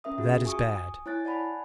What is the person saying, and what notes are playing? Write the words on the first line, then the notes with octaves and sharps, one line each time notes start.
That is bad!
C#4 A#4 E5 D#6
F4 F#4 G#4
G#5 C#6 D#6
E4 C#5 G#5 F#6 A6
D5 F#5 G#5 A5 B5